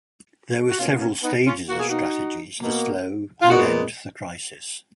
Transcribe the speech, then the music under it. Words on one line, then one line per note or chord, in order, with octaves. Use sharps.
There were several stages of strategies to slow and end the crisis.
F#4
B2 A#3 C#4 F4
B3
C#4
B3 D#4
C#4 F4
B2 A#3 F#4
G#4
D#4 F#4
B2 A#3
F4
A#2 G#3 B3 D#4 F#4